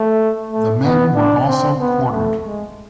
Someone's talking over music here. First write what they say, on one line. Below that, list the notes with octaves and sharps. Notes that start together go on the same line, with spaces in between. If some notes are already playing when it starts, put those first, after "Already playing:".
The men were also quartered.
Already playing: A3
A3
B3
D4
C4
B3
A3
G#3